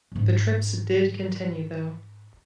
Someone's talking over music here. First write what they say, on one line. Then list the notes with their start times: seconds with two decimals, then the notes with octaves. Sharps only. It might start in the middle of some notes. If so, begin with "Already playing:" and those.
The trips did continue though.
0.12 G#2 C#4